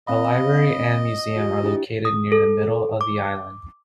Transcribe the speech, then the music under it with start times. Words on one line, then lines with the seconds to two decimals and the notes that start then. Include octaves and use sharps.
A library and museum are located near the middle of the island.
0.07 C4 D#5 F5 B5
1.36 F4 G4
1.63 D4 E4 G4
2.05 D#6
2.32 A4
3.01 D6